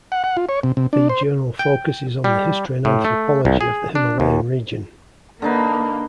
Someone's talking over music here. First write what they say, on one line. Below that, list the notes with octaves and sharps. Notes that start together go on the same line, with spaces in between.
The journal focuses on the history and anthropology of the Himalayan region.
F#5
F#5
F4
C#5
C3
C3
D4
C5
G5
G3
A2
A3
C2
G#4
D4
D#2
D3 A#3 D#4 B4